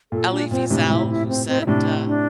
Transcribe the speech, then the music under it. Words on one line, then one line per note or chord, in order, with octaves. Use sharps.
Elie Wiesel who said, uh,
A#2 A4
D4
A#2 C4
A2 C3 D4
A2 C3 E4
E4
C4
C4
E4
A2 C3 D4
D4